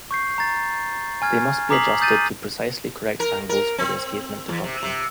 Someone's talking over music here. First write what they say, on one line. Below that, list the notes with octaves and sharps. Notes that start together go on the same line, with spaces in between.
They must be adjusted to precisely correct angles for the escapement to function.
C#6 G6 C7
A#5 A6
G#5 F6 G#6
A#5 D6 D#6 B6 C7 F#7
A#5 D#6 G6 A6 D#7
A#4
A#4
C4
E2
C3
C3